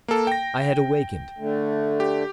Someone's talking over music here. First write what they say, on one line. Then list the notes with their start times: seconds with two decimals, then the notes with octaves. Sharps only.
I had awakened.
0.08 A#3 A4
0.27 G5 A#6
1.39 D3 A3
2.00 G4